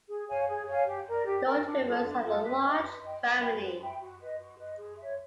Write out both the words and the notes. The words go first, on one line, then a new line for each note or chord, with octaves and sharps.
Lord Rivers had a large family.
G#4
C#5 F5 G#5
G#4
C#5 F5 G#5
G4
A#4 D5
G4
A#4 D5
D4
F4 A4
D4
F4 A4
B4
D#5 G5
B4
D#5 G5
B4
E5 G5 B5
B4
E5 G5 B5
F#4
B4 D#5
F#4
B4 D#5
G#4
C#5 E5